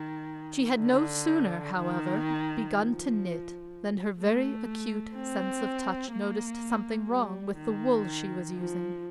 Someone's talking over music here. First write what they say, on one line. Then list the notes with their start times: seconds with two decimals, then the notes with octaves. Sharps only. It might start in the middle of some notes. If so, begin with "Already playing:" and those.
She had no sooner, however, begun to knit than her very acute sense of touch noticed something wrong with the wool she was using.
Already playing: D#3
0.80 D3
1.78 D#3
2.74 F3
4.19 A3
5.15 C4
6.13 A#3
7.09 G3
7.57 D#3
8.54 F3